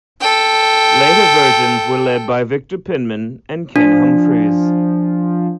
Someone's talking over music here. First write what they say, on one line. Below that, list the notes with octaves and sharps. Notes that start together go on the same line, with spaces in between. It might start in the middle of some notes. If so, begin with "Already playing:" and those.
Later versions were led by Victor Penman and Ken Humphries.
A4 G5
F3 D4